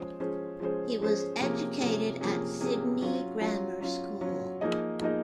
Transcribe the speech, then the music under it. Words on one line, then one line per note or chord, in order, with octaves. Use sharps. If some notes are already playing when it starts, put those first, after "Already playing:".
He was educated at Sydney Grammar School.
Already playing: F3 G#3 C#4 G#4 C5
F3 G#3 C#4 G#4 C5
F3 G#3 C#4 G#4 C5
F3 G#3 C#4 G#4 C5
C3 F3 A#3 C#4 G#4
C3 F3 A#3 C#4 G#4
C3 F3 A#3 C#4 G#4
C3 F3 A#3 C#4 G#4
F#3 C#4 F4
F#3 C#4 F4
F#3 C#4 F4
F#3 C#4 F4
F3 A#3 D#4 G#4 D#5
F3 A#3 D#4 G#4 D#5